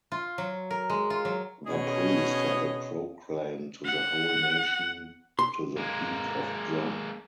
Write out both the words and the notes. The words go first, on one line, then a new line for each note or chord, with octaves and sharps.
The priest had it proclaimed to the whole nation to the beat of drum.
F4
F#3
A#4
G#3
F4
F#3
B2 C#4 G#4 C#5 D#5
F#5
C6
G#3 A#3